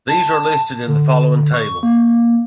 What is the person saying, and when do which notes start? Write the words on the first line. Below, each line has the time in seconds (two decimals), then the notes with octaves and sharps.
These are listed in the following table.
0.08 A5
0.87 D3
1.54 C#6
1.83 A#3